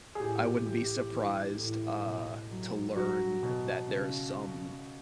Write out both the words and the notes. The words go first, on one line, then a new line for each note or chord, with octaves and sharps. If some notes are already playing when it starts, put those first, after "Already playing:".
I wouldn't be surprised, uh, to learn that there's some
G#4
A2 G4
E3 G4
E3
A2
B2
F#3
F#3 F#4
B2
C#3